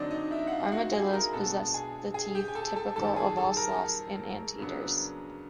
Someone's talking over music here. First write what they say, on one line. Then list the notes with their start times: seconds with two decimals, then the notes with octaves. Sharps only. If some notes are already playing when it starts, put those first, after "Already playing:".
Armadillos possess the teeth typical of all sloths and anteaters.
Already playing: D3 F#3 A3 C4 D4 D#4 D5 D#5
0.11 D#4 D#5
0.31 E4 E5
0.47 F#5
0.51 F4 F5
0.72 F#4 F#5
0.92 G#4 G#5
1.07 B5
1.13 A#4 A#5
1.33 B2 G#3 B3 D4 A4 A5
1.74 G#4 G#5
2.14 G#4 G#5
2.35 G4 G5
2.48 G#5
2.55 A4 A5
2.76 A4 A5
2.96 F#2 D#3 G3 A4 A5
3.16 G#4 G#5
3.37 A4 A5
3.57 A#4 A#5
4.58 C#3 F#3 B3 D4